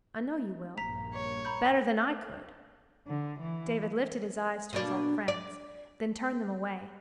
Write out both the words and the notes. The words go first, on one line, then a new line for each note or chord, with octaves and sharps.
"I know you will, better than I could." David lifted his eyes to his old friend's, then turned them away.
A#1 G2 A#3 A#5 B6
C#5
A#5 B5 G6
D3
E3
B2 A#3 D4
D5